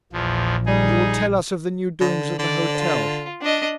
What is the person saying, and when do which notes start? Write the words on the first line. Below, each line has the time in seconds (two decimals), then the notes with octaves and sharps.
And you will tell us of the new doings at the hotel.
0.13 A#1 E2 F3
0.66 G3 D#4 G#4
2.01 D3
2.39 D3 D5
2.77 F4
3.42 D4 D#5